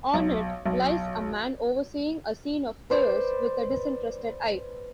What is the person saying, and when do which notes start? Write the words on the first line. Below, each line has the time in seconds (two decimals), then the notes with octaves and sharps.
On it lies a man overseeing a scene of chaos with a disinterested eye.
0.14 B1
0.66 B1
2.90 B4 C5 D5